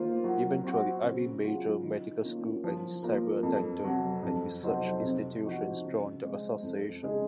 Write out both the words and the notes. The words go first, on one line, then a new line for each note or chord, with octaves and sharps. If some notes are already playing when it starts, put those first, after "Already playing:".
Eventually every major medical school and several dental and research institutions joined the association.
Already playing: D#3 A#3 F4 C5
F#3
C4 F#4
C#3
F#3 C#4 F4 G#4
D#3
A#3 C#4 F4
F3
A#3 F4 A#4
F2
C3 F#3
F2
C3 F#3 C4 D#4
C3
F3 C4 D#4 F#4
C#3
G#3 C4
F2
C#3 G#3 D#4 G#4